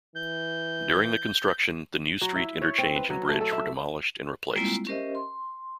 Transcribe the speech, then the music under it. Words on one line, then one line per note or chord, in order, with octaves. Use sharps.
During the construction, the New Street interchange and bridge were demolished and replaced.
E3 G6
F#3
E4
C#5
C4
B4
F#3
A3
A4
E5
G3 G#3 A#3 C4 E4 F4
C#4 G4 A#4 C5 D#5 E5
C6